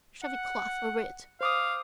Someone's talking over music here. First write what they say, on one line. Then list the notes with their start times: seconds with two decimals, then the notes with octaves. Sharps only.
Shove a cloth over it!
0.23 F#5
1.41 C5 F5 D6 D#6